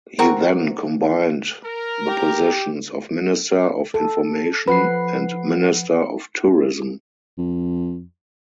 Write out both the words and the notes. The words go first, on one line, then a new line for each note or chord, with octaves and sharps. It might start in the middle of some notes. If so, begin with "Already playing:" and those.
He then combined the positions of Minister of Information and Minister of Tourism.
C4 F#4 A#4 C#6
A#4
G4
A4
F3 B4 F#5 C7
F2